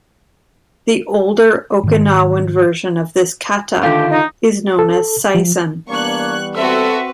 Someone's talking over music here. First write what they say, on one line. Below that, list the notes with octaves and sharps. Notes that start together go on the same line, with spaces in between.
The older Okinawan version of this kata is known as Seisan.
G#2 D#3
D3 D#3 A3 D4 F4 G4
D#4
A4
F3
E3 G3 A#3 B3 D4 C#5 C#6 F#6
C4 F#4 A4 B4 E5